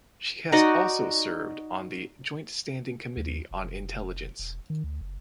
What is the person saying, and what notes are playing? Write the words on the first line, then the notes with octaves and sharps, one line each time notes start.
She has also served on the Joint Standing Committee on Intelligence.
D#4 F#4 D5 D#5
D#2
F1
E1
D#3
D2
F#1